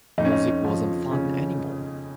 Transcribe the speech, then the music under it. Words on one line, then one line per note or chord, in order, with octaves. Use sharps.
Music wasn't fun any more.
F2 D#4
C#4
D#4
F3
C#3 C#4